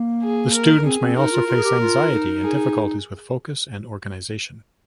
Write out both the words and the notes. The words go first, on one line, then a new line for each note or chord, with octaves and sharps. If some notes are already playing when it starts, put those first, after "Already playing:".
The students may also face anxiety and difficulties with focus and organization.
Already playing: A#3
G#4
A#4
C4 G#4
C4
D#4 A#4
F4
F4
G#4
G4
F4
D#4
G#4